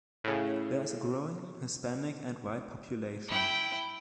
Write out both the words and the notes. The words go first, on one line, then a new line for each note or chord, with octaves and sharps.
There is a growing Hispanic and White population.
A2 C#3
E4 G5